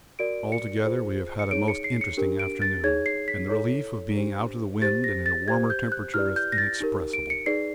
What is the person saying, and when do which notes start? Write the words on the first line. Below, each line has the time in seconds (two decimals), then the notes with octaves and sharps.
Altogether we have had a most interesting afternoon, and the relief of being out of the wind and in a warmer temperature is inexpressible.
0.19 F#4 A#4 D5 D7
0.52 C#7
0.85 F4 G#4 C5
1.39 C#7
1.51 D#4 G#4 C#5 D7
1.68 C#7
1.84 C7
2.01 C#7
2.17 D4 G4 A#4
2.39 D7
2.62 A6
2.84 D#4 G#4 C#5 G#6
3.06 C7
3.28 B6
3.49 E4 A4 C#5
4.16 D4 G4 C5
4.82 G4 C5 A6
5.04 A#6
5.26 A6
5.48 G4 C5 G#6
5.70 G6
5.92 F#6
6.14 E4 G4 B4 D5 F6
6.36 G6
6.52 A#6
6.58 A6
6.80 D#4 G4 A#4
7.13 D7
7.30 C#7
7.46 D#4 G#4 B4 D5 C7